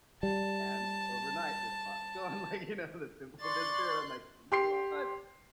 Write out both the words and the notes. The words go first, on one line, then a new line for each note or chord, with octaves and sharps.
and overnight, the spot's gone, like, you know, the pimple disappeared, I'm like, "You know what?
G3 A5
D5 C6 C#6 F#6 A6
G4 C6 C7